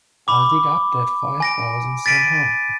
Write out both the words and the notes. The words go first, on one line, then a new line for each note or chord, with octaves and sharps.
I'll dig up that five thousand somehow.
B5 D6
G#5 A#6 D7
A6 B6 D7 D#7